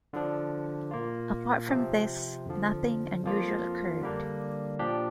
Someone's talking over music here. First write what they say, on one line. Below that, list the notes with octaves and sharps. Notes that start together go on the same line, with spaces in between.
Apart from this, nothing unusual occurred.
D3 F3 D4
A#2 A#3 F4
C3 F3 C4
F2 D3 F3
F2 F3 A#3 F4
D3 G3 A#3 D4
A#2 F3 D4 G4